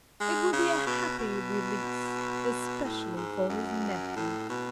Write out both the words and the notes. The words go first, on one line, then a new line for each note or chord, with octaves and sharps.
It will be a happy release--especially for his nephews.'
G#3
C#3
B2
B2
A2
G#2
F#2
A2
B2